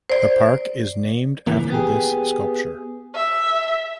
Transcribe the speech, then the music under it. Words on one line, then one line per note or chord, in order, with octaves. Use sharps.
The park is named after this sculpture.
C5 D5
C#2 E3 A#3
B3 G4 G#4
E5